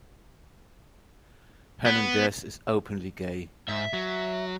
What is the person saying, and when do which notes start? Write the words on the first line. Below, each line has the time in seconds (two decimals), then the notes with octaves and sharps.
Hernandez is openly gay.
1.86 B3
3.68 G#2 E5
3.93 F#3